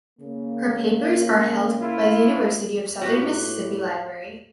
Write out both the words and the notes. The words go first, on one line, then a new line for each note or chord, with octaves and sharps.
Her papers are held by the University of Southern Mississippi library.
C#3 A#3
E4 F4
A2 F#4 G4 B4